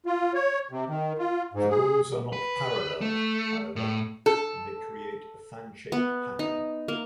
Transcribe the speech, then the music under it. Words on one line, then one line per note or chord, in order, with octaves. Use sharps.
The rows are not parallel, however, and they create a fan-shaped pattern.
F4
C#5
C3
D#3
F4
G#2
G#4
B4
A3
A2
A4
B3
D#4
A#3